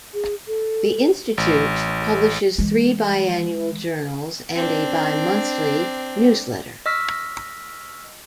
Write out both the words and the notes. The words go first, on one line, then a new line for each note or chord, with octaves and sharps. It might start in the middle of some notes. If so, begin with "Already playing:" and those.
The institute publishes three bi-annual journals and a bi-monthly newsletter.
G#4
A4
A1
E3 G#3
C4 D4
D#5 C#6 E6 F6 B6